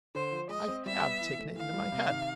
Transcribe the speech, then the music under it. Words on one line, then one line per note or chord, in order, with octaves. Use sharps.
I HAVE taken it into my head.'
D3 C5
F3
G#3 D#5
C4
G3 E5
B3
E3
A3
E3 F5
G3
C3
D#3